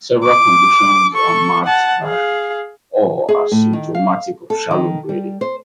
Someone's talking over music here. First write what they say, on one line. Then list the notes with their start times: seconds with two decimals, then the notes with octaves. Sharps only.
Several conditions are marked by, or are symptomatic of, shallow breathing.
0.24 D6
1.14 A4 C#6
1.65 F#5 A5
2.03 G#4 F5
3.29 G#4
3.52 A2
3.73 D#3
3.95 F5
4.50 A4
4.71 D#3
5.09 G3
5.41 C5